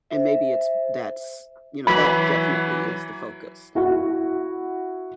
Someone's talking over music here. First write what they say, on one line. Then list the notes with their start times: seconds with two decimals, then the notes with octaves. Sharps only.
and maybe it's that's, you know, that definitely is the focus,
0.11 C5 E5
1.87 E3 F#3 B5
3.75 E4 F#4